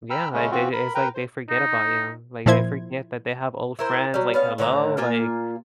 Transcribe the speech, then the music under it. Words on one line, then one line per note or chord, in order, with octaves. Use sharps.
Yeah, they they it's like they forget about you. Like, they forget that they have old friends like, "Hello?" Like
G5 A#5 B5 E6 F6
C#3 G#3 A3 C#4
E3 C4 F4 F#4
A#4 B5
A#4 B4 G5 A#5
C5
D#4
A#2 F3 E4 C5 G#6
E4 A#4 C5
F#3 G3
B3 C#4 F5
A2 D3 E3 A#5
A#2 A#3 F4 G#5